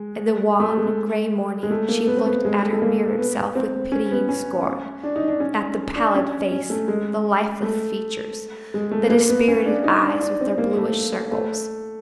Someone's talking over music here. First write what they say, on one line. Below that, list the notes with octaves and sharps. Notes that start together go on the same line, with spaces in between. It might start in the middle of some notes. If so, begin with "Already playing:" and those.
In the wan, grey morning she looked at her mirrored self with pitying scorn--at the pallid face, the lifeless features, the dispirited eyes with their bluish circles.
Already playing: G#3
A3
G#3
G#3
A3
A#3
B3
C4
B3
G#3
A3
A3
A#3
B3
C4
C#4
B3
C#4
D4
D#4
D4
C#4
D4
C#4
C#4
A3
G#3
A3
G#3
A3
B3
A#3
B3
C#4
D4
D#4
D4
D4
C4
A#3
A3
A3